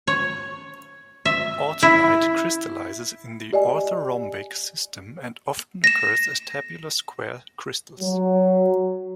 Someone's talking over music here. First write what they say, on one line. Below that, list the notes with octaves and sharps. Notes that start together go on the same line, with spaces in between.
Autunite crystallizes in the orthorhombic system and often occurs as tabular square crystals.
C#5
E5
E4
G4 D5 D#5 G#5
A#6 E7
F#3